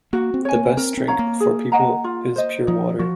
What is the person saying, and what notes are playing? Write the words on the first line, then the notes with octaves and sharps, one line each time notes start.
The best drink for people is pure water.
A#3 F#4
C4
C#5 G#5
A#3
C4 A#4
C4
C#5 F5 A#5
A#3
G#4
D#5 F#5 A#5
F4
C5 D#5
F3 D#4
F3 F#4